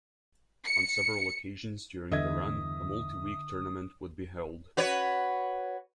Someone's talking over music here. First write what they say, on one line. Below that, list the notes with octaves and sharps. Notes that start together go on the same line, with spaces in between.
On several occasions during the run, a multi-week tournament would be held.
C#7
E2 G2 D3 E3 D#5 E5 D#6 G#6
F#4 B4 C#5